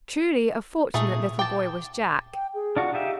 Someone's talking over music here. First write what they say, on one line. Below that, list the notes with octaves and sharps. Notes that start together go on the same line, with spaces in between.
Truly a fortunate little boy was Jack!
A#2 A3 D#4 G#4
G5 A5 D6
G5
G#4
D4 F4 F#4
D#4 G4 E5 F5